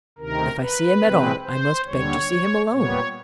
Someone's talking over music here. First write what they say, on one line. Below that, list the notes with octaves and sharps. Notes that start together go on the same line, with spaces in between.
"If I see him at all, I must beg to see him alone."
D2 C3 D#3 A#4
B4
C3 E3 G#3 C4
C5
D#2 D3 G3 C#5
A#2 G3 B3 C#5